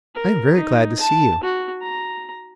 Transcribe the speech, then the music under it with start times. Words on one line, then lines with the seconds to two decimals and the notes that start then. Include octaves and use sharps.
"I am very glad to see you."
0.15 A#4
0.55 D#4
1.00 A5
1.43 F#4
1.81 A#5